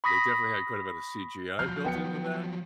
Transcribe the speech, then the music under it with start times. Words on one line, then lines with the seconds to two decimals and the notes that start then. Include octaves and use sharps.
they definitely had quite a bit of CGI built into that,
0.04 B5 C#6 D#6 A#6 B6
1.59 F3 F#3 F6 G6 C7
1.84 B3 G5 C#7